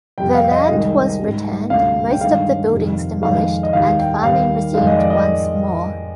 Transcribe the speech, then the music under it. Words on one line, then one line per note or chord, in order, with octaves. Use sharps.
The land was returned, most of the buildings demolished and farming resumed once more.
F2 C3 G3 G5
F5
D#5
C2 C3 D#3 G#3
G#2 G3
D2 C3 G3 F5
G5
G2 D#3 G#3 F5
F2 C3 D#3
F2 D#3 G#3 F5
D#5
D#2 D#3 G3 F5
G5
D#2 D#3 G3 F5
F2 D#3 G#3 F5
D#5
D5
D#5